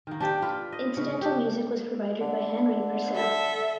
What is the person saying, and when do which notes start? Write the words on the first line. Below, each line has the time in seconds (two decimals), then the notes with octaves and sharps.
Incidental music was provided by Henry Purcell.
0.07 D#3 A#3
0.20 D4 G4 G5
0.42 F4 B4
0.72 D#5
0.97 C#3
1.21 D4 G4
2.21 D3
3.14 A4 E5